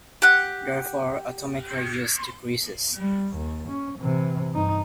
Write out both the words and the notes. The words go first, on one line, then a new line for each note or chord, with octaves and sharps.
Therefore, atomic radius decreases.
G4 F#5
G3
D#2
C#4
C3 E3
G2 D#4